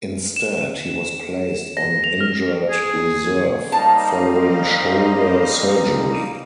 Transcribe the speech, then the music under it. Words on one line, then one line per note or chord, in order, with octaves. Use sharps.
Instead, he was placed on injured reserve following shoulder surgery.
E7
A#6
F7
F6
G#4
G3 A#3 D#4 C5 D#5 F5 A5